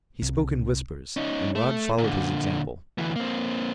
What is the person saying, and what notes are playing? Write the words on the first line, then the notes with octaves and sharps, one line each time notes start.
He spoke in whispers, and Rod followed his example.
C2
C#4 D#4
A3
A#2 D3
D2 E3
A#3 C4